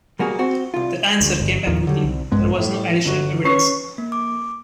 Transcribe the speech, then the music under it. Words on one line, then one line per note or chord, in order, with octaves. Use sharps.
The answer came back quickly: There was no additional evidence.
G3 A#3 F#4 G#4
C4 F#4
C2 F4
D2
G1
E2 A#2 D#3 F3
D3 F#3 G3
C2
A#1 G2 G#3 B3
A2
G1 F#4
C#4 B4 C#6 C7
A#3
D6